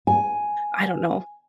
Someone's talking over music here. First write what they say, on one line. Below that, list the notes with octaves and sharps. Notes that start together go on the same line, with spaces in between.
I don't know
G#5